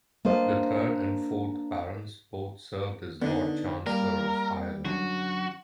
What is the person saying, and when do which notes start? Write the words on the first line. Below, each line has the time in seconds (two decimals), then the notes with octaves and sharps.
The third and fourth Barons both served as Lord Chancellor of Ireland.
0.25 A#3 D4 C5 D#5
3.22 D3 B3 D4 D#4
3.87 G3 A#3 A#4
4.85 F#2 D3 F#4